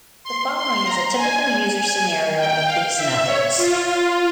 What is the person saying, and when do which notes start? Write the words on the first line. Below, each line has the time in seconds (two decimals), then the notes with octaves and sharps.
The following is a typical user scenario of these methods.
0.24 C6
0.54 C6
0.84 A#5
1.15 G#5
1.44 G#5
1.75 G#5
2.36 G5
2.65 F5
2.96 E5
3.26 C#5
3.57 F4